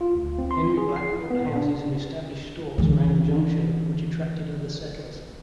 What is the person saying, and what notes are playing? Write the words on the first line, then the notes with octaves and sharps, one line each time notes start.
Henry Black built houses and established stores around the junction, which attracted other settlers.
F4
D2
C4
C6
G#4
C7
E4
B3
A#2
D4
D3 E3